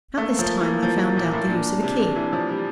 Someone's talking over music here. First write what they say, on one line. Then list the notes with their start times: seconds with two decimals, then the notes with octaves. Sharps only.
About this time I found out the use of a key.
0.17 A3 A#3
0.39 F3
0.61 E3
0.83 F3
1.17 A#2
1.33 A2
1.49 A#2 D4
1.83 C3
2.16 E3
2.33 F3
2.49 G3